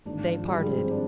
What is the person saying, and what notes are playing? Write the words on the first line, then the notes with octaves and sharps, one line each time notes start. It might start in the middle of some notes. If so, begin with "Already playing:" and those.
They parted.
G#1 G#2 D#3 D4
F3 F4
G3 G4
G#3 G#4
C4 C5
D4 D5